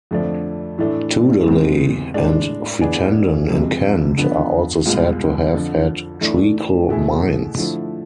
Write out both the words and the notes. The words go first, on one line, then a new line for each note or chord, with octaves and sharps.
Tudeley and Frittenden in Kent are also said to have had treacle mines.
F2 D3 F3 A3 D4
A2 E3 A3 D4
E2 C3 G#3 C4
A2 G#3 D4
E3 B3 D4 G#4
F2 C3 G#3
D3 F3 B3
C2 B2 G#3 B3 F4
F2 D3 F3
E3 A3 D4
B2 A3 E4 G#4
D3 F3 A3 E4